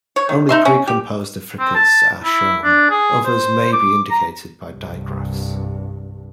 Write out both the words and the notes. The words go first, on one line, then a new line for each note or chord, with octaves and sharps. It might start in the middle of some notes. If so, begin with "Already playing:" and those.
Only precomposed affricates are shown; others may be indicated by digraphs.
C#5
D#3
D#4 E5 C6
C#4
G4
C4
A5
E4
D4
G#4
C5
D6
A#5
C2 G2